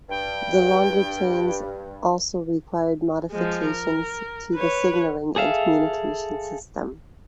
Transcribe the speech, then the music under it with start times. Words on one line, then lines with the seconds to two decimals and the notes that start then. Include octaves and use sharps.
The longer trains also required modifications to the signalling and communication system.
0.09 G2 G5
3.31 F3 G#3
3.66 A#4
4.55 B4 C#5
5.36 G#4 A4 E5 F5